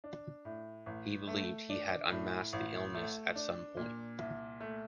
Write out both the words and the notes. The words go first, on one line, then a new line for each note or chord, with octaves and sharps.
He believed he had unmasked the illness at some point.
D4
A2
A1
A3
D4
A2
A1
A3
D4
A#2
C2
A3